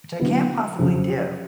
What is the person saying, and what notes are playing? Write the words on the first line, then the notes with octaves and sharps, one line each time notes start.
Which I can't possibly do.
D3 F#3 B3 E4
F2 C#3 F#3